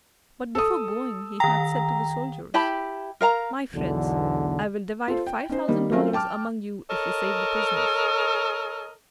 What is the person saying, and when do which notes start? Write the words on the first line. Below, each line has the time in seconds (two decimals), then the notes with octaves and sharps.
But, before going, he had said to the soldiers, "My friends, I will divide five thousand dollars among you, if we save the prisoners."
0.55 A4 D#6
1.40 D#3 G5 A#5
2.54 E4 G4 A5 B5
3.21 A#4 F5 A#5
3.74 B1 E2 D3
5.08 F4 A4 C5
5.27 G5
5.49 C#4 D#4 C5
5.68 D#3 G3 A#3 D#5
5.92 F#3 C4 C#4 F4 A#4 F5
6.13 G5 A5 D6 F6
6.89 A4 A#4 C#5 D#5